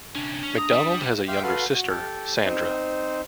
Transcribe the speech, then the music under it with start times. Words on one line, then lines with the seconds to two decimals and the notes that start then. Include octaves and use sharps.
McDonald has a younger sister, Sandra.
0.15 C3 C#4 D4
0.43 C#4
0.58 A#5 D#6
0.73 G3
1.28 E5 F5 G5 C6 D6 E6
1.43 F#4 A4 B4 F5 F#5 C6
1.74 F#4
1.89 G4 A4
2.45 C4 D#4 C5